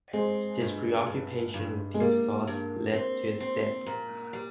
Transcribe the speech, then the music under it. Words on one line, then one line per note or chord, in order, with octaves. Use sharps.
His preoccupation with deep thoughts led to his death.
G#3 C4
G2
G2
G2
G#3
G3 A#3
G2
C4
C4
A#2
G3